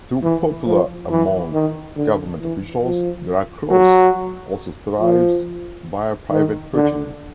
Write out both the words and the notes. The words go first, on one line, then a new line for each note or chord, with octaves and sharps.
Though popular among government officials the Lacrosse also thrives via private purchases.
E3
F3
E3
D#3
D3
E3
F3
F#3
F3
D#3
D3